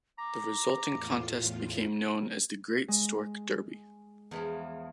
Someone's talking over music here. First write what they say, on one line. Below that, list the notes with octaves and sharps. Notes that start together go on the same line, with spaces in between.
The resulting contest became known as the Great Stork Derby.
A#5 D6
E2 A2 F4
G#3
E2 E3 F3